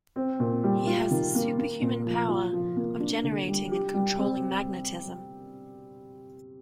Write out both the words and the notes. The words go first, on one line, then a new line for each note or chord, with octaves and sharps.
He has the superhuman power of generating and controlling magnetism.
C4
A#2
G3
F4
D#3
A#3
A#3
A#2
F3
F4
F3
A#3
D4
D3
G3
G4
G3
C4